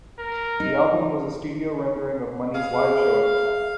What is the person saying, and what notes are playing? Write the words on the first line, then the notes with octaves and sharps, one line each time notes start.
The album was a studio rendering of Money's live show at the time.
A#4
D#4
G#4 F5